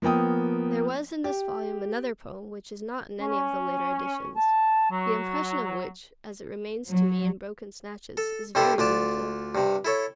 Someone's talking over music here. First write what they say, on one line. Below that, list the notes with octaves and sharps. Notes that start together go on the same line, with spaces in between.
There was in this volume another poem which is not in any of the later editions, the impression of which, as it remains to me in broken snatches, is very beautiful.
F3 A#3 B3 G5 D#6
G4
C#4
A5
F#3
F#3
A4
G2 C3 G3 E4 A4 C6
D2 F4 D5 A5
G2 C3
E4 A4 C#5